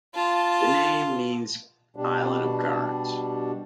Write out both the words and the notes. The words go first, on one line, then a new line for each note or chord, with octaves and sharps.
The name means "island of currents".
F4 A5
B2 G3 D4